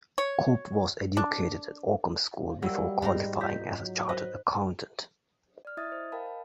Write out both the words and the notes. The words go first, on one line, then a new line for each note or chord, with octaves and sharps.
Cope was educated at Oakham School before qualifying as a Chartered Accountant.
C#5
D4
F#3 G3 A#3 E4 F#5 G5 E6
G#2 D#4 G4 A#5
D#4 F4 G6 B6
F#3
B4 C5 D#5
D5 F6
E4 D#5 E5 D#6 G#6 A6
C5
A#4 D#5 F5 G5 A5 B5
A5